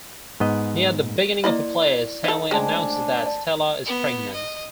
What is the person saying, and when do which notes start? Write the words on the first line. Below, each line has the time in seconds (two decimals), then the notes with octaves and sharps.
Near the beginning of the play, Stanley announces that Stella is pregnant.
0.40 G#2 B3 D#5
1.44 A#3 E4 D5 D#5 B5 C6
2.24 D#4 A4 C#5 F5 F#5
2.51 G#3 A3 C#4 D4 F4 C5 G#5 A5
3.26 D5 A5
3.85 B3
4.34 D#5